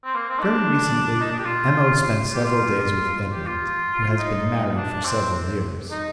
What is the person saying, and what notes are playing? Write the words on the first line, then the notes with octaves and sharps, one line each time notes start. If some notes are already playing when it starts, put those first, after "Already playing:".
Very recently M.O. spent several days with Edmund, who has been married for several years.
C4
A#3
C4
D#4
D4
D#4
D4
G4
F4
G4
F4
G4
F4
F4
D#4
D4
C4
D#4